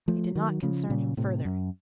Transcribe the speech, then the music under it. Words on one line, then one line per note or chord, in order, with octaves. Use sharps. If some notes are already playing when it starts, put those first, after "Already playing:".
It did not concern him further.
F3 A3
D#3 F#3
C#3 F3
A#2 C#3
A2 C3
F#2